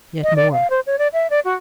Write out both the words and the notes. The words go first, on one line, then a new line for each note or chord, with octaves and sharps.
Yet more.
D#5
D5
F5
C5
C#5
D5
E5
D5
F#4